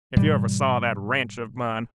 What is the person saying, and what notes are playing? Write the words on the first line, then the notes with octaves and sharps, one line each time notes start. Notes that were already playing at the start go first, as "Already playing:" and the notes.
If you ever saw that ranch of mine!
G#2 B2 E3 G3